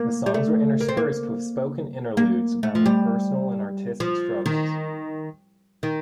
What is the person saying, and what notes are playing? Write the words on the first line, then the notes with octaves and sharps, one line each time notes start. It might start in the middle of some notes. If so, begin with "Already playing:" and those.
The songs were interspersed with spoken interludes about her personal and artistic struggles.
Already playing: A#3
G3
A3
A#3
C4
A#3
A#3
A3
F3
G3
F3
D#3
D#3